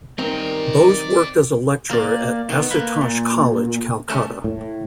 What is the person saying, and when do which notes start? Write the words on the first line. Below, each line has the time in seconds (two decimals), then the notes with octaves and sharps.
Bose worked as a lecturer at Asutosh College, Calcutta.
0.19 D#3 G3 C4 A#4 D5 A#5
1.91 A#3 D5
2.50 D#3 B3
2.71 A#3 B4
3.02 A#2
4.10 A3 C#4
4.44 A2